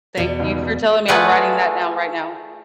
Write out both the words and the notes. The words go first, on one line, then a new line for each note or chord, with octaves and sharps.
Thank you for telling me, I'm writing that down right now.
E2 B2 D5
C#2 D#3
A3 F4 G#4 B4 D5 F#5